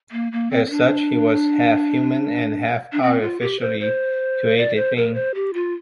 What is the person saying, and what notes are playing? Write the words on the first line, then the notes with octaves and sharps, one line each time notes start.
As such, he was half human and half-artificially created being.
A#3
A#3
C4
C4
D4
D4
C4
F4
G4
C5
C5
D5
C5
A#4
C5
G4
F4